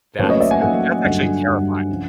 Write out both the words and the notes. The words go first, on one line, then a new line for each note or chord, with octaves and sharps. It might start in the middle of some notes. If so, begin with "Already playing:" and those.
That's I mean, that's actually terrifying.
A2 F#3 A#3 C#4 B4 C#5
C#5 D#5
D5 E5
F#5 G#5
A2 F#3 A#3 C#4 F#5 G#5
G2 D3 F#3
G2 D3 F#3
C#3 F3